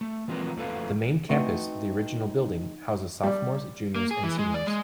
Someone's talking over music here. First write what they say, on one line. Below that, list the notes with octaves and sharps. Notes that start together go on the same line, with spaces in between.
The Main Campus, the original building, houses sophomores, juniors, and seniors.
A3
E3 F3 G#3 C4 A#4 B4
F2 A3 A4 B4 F5
A3 C4 D#4 F#4 B4 F#5
G3
A#3
G#4
E3
G#3
D5
G#3